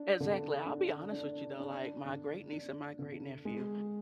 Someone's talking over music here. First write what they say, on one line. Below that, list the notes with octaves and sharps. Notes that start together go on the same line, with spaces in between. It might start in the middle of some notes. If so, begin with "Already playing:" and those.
Exactly. I'll be honest with you though, like, my great-niece and my great-nephew,
Already playing: D4
D3
D4
D4
D4
D3
D4
D3
G#3